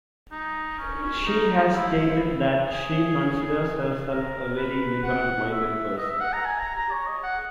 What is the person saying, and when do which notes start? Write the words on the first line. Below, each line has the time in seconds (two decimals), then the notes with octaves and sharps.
She has stated that she considers herself a "very liberal minded person".
0.32 D#4
0.79 C#4
1.02 C#4
1.26 D#4
1.74 E4
2.68 G#4
4.09 A#4
4.57 B4
5.03 F#5
5.51 E5
5.98 D#5
6.09 E5
6.21 F#5
6.33 A#5
6.45 G#5
6.60 A#5
6.76 A#5
6.91 C#5
7.07 D#5
7.24 F#5